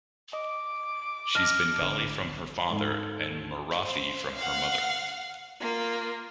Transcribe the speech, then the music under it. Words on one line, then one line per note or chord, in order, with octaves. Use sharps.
She's Bengali from her father and Marathi from her mother.
D#5 D6
D#5 A5 F6 A#6
G#1 D3 B4
G#2 A4
C5
F5 F#5
A#3 F4